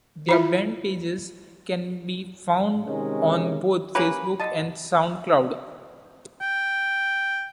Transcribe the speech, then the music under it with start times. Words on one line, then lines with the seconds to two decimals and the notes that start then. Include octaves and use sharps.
Their band pages can be found on both Facebook and SoundCloud.
0.29 E4 F4 E5
2.87 C3 D#3 G#3 C#4
3.95 A#3 C#4 G4 B4
4.40 D3 D#5 A5
6.41 G5